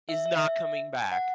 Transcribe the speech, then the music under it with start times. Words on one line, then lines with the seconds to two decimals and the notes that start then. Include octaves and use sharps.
is not coming back.
0.09 E5
0.26 E5
0.43 E5
1.12 F#5